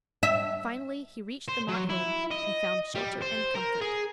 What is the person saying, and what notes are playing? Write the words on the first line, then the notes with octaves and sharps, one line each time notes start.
Finally he reached the Mott home, and found shelter and comfort.
E5
C5
F#3
E4
D#5
G3
C5
A#4
G#4